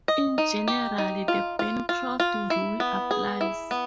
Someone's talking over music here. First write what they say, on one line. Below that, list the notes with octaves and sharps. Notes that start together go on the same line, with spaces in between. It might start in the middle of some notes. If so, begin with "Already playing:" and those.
In general, the Bancroft rule applies.
D#5
D#4
G4
D#4
F4
F4
F4
F4
E4
B3
G#4
E4
B3